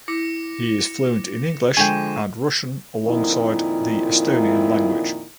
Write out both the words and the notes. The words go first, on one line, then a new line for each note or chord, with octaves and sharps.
He is fluent in English and Russian alongside the Estonian language.
E4 D6 A#6 C#7
D3 F3 G#3 G5 G#5 C#6 D#7
F2 A#2 D#3 E4